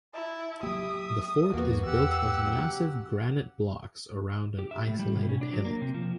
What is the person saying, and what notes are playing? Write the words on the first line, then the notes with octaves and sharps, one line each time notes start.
The fort is built of massive granite blocks around an isolated hillock.
E4 A5
F#3 A#3 G4 E5 D#6
E2 F3 A#3 B3 F#4
E2 G4 F#5 E6
C#3 F#3 C#4
G4
E5
A2
G3
B2
C#4
D4
F#3
A#3
C3
F3